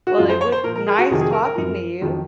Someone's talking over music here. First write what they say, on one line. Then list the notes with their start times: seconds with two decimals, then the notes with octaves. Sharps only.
Well, it was nice talking to you.
0.07 F#4
0.18 F#2 F3 F4
0.29 C5
0.41 C#5
0.52 C5
0.63 A#2 F3 A#4
0.76 A#4
0.87 G#4
0.99 F#4
1.10 F2 C3 D#3 F#3 G#4
1.21 G#4
1.32 A#4
1.45 A#4
1.55 F#2 F3
2.01 F2 D#3 F#3